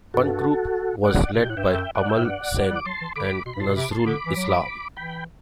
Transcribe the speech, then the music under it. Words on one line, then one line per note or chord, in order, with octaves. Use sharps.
One group was led by Amal Sen and Nazrul Islam.
G2 F#4 A4
F#2 D5 F#5
C3 A5
B2 G5
A2 F#5
G2 E5 G5
F#2
D5 F#5
E5 G5
A2
G2 D5 F#5
A2
G3
D6
F#3 A5 C6
E3
D3 B5 D6
B2 C6
B5
G2
A2 A5 C6
B2
C3 B5 D6
A5 C6
D3 B5 D6
E3
F#3
E3 G5 B5